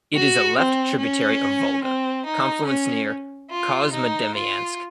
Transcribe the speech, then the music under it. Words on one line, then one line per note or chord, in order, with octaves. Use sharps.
It is a left tributary of Volga, confluence near Kozmodemyansk.
F#4
C4
C#4
C4
D#4
C#4
F4
D#4
F4